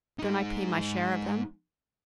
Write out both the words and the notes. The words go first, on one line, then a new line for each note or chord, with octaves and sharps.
"Don't I pay my share of them?"
G#3 D#4